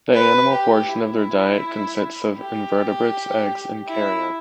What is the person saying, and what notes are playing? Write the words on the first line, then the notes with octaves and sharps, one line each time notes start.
The animal portion of their diet consists of invertebrates, eggs, and carrion.
B4
G4
E4
G4
E4